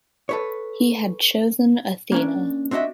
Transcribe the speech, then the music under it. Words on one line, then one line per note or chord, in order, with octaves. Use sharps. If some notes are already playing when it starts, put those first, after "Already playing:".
He had chosen Athena.
A4 B4 C#5
A#3 C#4 D4
C4 D4 F#4 D#5 E5